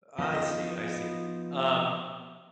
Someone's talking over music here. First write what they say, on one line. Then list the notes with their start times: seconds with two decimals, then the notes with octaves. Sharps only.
I see, I see. Um,
0.18 F3 B3 D#4 D#5